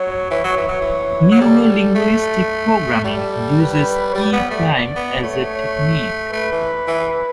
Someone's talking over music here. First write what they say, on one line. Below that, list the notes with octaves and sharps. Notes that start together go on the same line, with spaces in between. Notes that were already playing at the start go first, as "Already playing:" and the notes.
Neuro-linguistic programming uses E-Prime as a technique.
Already playing: F#3 C#5
E3 C#5
F#3
E3
F#3
E3
F#3
G3 A4
A3
G3 A4
B4
G3 D5
B3
A3
B3
A3 C#5
A3 B4
E3
E3